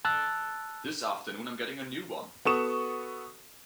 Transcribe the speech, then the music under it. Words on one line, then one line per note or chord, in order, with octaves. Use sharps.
This afternoon I'm getting a new one!
A5 E6 F#6 A6
B3 F#4 A4 C#6 D#6 E7